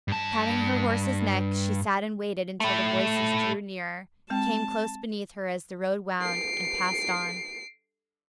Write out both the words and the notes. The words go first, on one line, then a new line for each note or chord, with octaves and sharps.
Patting her horse's neck, she sat and waited until the voices drew nearer, came close beneath her as the road wound, and passed on.
G2 A5
A2 A3
G#3 C4 G5 A5
C7 D7